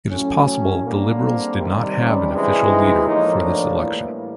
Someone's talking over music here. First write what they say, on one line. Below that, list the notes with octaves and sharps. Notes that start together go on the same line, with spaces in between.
It is possible the Liberals did not have an official leader for this election.
A2 F#3 A3 C#4
D3 G3 A#3
C4
C3 D#3 G3
C#4
C3 E3 G#3 D4
D#4
A2 F3 A#3 D#4
D4
A2 E3 G3 A#3